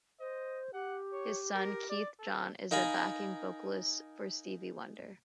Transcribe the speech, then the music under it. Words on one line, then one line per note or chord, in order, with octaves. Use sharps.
His son Keith John is a backing vocalist for Stevie Wonder.
C5 D#5
G4 F#5
C#5
A#4
D5
A4
D#4 A#4 F5 G#5 B5